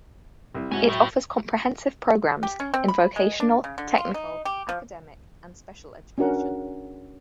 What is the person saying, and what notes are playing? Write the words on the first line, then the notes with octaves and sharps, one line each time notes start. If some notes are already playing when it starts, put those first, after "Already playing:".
It offers comprehensive programs in vocational, technical, academic and special education.
C2 E4
G#2 C#4 F#4 E5 G#5
A2 F#3 E5 G5
G4
C#4
C4
B5
G#3
D4
C#3
D3
F4
D#4
G4
F3
C#4 D4 F#4 A#4 F#5